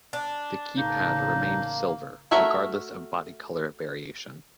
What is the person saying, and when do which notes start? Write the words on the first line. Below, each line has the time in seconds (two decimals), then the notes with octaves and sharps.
The keypad remained silver regardless of body color variation.
0.13 D4
0.77 A1 C#3 A#3 D#4
2.31 A3 F#4 A#4 C#5 E5